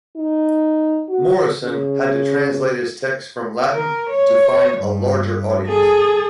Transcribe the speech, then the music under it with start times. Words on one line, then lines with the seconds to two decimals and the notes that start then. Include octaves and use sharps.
Moryson had to translate his texts from Latin to find a larger audience.
0.17 D#4
1.09 F#4
1.64 C#3
3.71 A#4
4.10 C#5
4.78 G2
5.66 G#4 A4